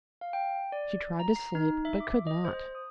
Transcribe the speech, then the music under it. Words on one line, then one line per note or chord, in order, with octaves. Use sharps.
She tried to sleep, but could not.
F5
G5
D5
A#5
C7
D#4
E5
D6
D#5
C5
D#6